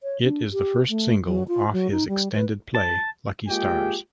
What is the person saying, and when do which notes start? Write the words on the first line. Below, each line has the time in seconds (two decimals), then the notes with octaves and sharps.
It is the first single off his extended play "Lucky Stars".
0.03 C#5
0.24 D4
0.53 G4
0.89 A3
1.26 F#3
1.48 F4
1.72 F#3
1.91 D#4
2.08 G3
2.35 B4
2.75 A5
3.48 G#3 A#3 F4 G4 G#4 G5